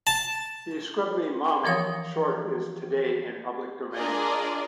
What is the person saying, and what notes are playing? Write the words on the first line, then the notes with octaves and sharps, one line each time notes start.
The "Scrub Me Mama" short is today in the public domain.
A5
E3 F3 A#4 C#5 D#6
D4 F4 G#4 A#4 D5 D#5